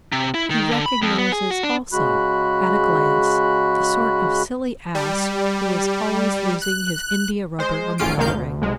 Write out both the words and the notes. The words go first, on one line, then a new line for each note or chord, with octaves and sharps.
He recognizes also at a glance the sort of silly ass who is always losing his indiarubber umbrella ring.
C3
E4
D#3
D3
B5
F2
B3
G#4
F#4
D4
C#3 G#3 F#4 B5 F#6
G3
F#6
G#3 C5
A#1 A2 C#4 F4 C7 D7
G1 D2 D#3 A#3 F5 G6
D2
C2 G#3